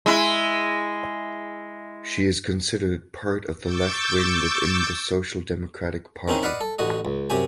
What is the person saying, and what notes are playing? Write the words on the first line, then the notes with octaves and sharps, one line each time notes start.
She is considered part of the left wing within the Social Democratic Party.
G#3 E4
C#6 D6 E6 G6 A6
D#3 C4 C#4 D#4 E4
B4 D5 D#5 F5 F#5 B5
A4
A1 D3 F#4 D#5
C#2
F#2 C3 G4 G#5